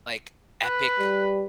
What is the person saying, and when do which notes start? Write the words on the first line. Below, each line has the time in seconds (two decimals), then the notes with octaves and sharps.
like, epic
0.63 B4 F#6
0.99 G3